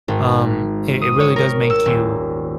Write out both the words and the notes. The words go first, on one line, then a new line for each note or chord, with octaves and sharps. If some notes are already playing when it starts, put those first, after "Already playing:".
um, it it really does make you
G#1
D#6
C#5
A#4
E6
D#1